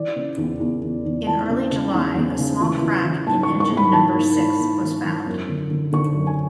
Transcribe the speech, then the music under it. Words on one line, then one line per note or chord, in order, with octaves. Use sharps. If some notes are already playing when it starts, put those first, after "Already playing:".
In early July, a small crack in engine number six was found.
Already playing: E3 D5
C#3
E2
E2
E2
E2
E3 A5
C#3
C#3
E2
E2
C#3
E3
E3
E3
G#2 A5
C#6
E3
C#6
G#2
B5
E3 A5
G#2
E3
G#2
E3
E3
F#2
D3
D3
D3 C#6
F#2
G#5